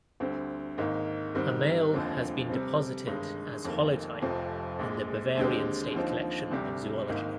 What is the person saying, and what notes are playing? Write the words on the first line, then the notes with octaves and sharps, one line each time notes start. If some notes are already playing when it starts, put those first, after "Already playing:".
A male has been deposited as holotype in the Bavarian State Collection of Zoology.
D2 D3 G3 C4
G#1 G#2 D#3 A#3
G#2 D#3 G3 C4
F1 D#2 D3 F3 C4
C3 G3 C4
G1 G2 D#3 G#3 D#4
F1 F2 D#3 A#3
F1 F2 C3 F3
A#1 A#2 G#3
D#2 D3 G#3 C4 G4
D#2 D3 F3 C4 D#4
D2 C3 G3 D4 G4
G#1 G#2 D#3 A#3 D#4